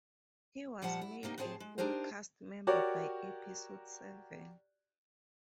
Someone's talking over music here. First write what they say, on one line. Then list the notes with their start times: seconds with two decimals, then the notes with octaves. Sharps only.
He was made a full cast member by episode seven.
0.82 A#2 F3 G3 F#5 A5
1.01 E4
1.23 C3 G3 A#3 D#4
1.38 A2 C4 E4 G#4 C5 A5
1.60 G#3
1.78 D4 D#4 G4 A#4 C5
2.67 F#4 G4 A#4 C#5 D5